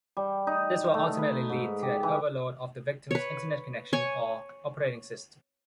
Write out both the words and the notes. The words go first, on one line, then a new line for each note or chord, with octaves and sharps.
This will ultimately lead to an overload of the victim's internet connection or operating system.
G3
D#4
A3
B4
G#2
G4
E3
B4 C#5
C#5 G#5 C#6